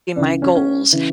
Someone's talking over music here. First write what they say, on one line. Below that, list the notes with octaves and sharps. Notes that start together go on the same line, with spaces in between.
my goals.
C#2 C#3 E3 D4
C#4
C#4
C#3 E3